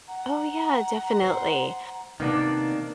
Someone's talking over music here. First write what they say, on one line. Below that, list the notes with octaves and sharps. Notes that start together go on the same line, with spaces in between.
Oh, yeah, definitely.
F#5 A#5
C5
C3 D#3 A#3 B3 D4 D#4 D5